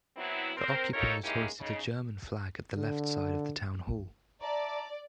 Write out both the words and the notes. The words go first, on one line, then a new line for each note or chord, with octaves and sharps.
The occupiers hoisted a German flag at the left side of the Town Hall.
F#3 B3 C4 E4
C4 A#4 C5
D#4 F4 G4 A4 A#4 C#5
G#3 A#3 C#4 D#4 E4 G4
C#3 D#4
D3
D5 E5 A5 A#5